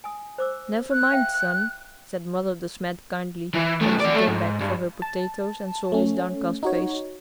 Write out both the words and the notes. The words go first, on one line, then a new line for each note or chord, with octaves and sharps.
"Never mind, son," said Mother De Smet kindly, when she came back for her potatoes and saw his downcast face.
G#5 D#6
C5 D6 E6
F#6
E5 F5 G5
E3
B1 A3
E3 D5
A3 A4
G#2
G2
A5
A3 C#4
D#4 F#4 C#5